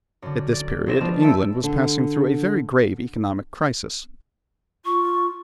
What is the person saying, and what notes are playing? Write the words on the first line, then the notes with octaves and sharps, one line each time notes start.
At this period England was passing through a very grave economic crisis.
F#2 D3
D5
E1 C4 A#6 E7
F3 G#3 B3 D4 F4
E4 E5 G5 A5
D3
F4 C#6